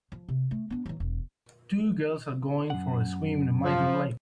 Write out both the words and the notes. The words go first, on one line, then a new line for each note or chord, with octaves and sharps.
Two girls are going for a swim in a mountain lake.
F3
C3
A3
B3 D4
E3 F#3
E1
F#2 F#5
F3